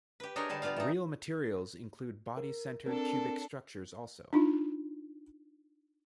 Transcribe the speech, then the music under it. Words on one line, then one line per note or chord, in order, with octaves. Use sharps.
Real materials include body-centered cubic structures also.
G4 B4
D4 D#4 G#4 A#4 C#5 D#5
D3 G3 D#4 A5
B2 G3 B3 F4 F5
E3 D#4
A#4
C4 D4 A4 A#4
D4 D#4 F4